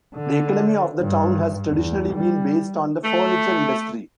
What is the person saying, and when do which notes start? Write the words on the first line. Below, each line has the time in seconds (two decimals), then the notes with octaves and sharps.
The economy of the town has traditionally been based on the furniture industry.
0.15 D3
1.01 G2
1.70 E2
2.14 G3
3.04 A3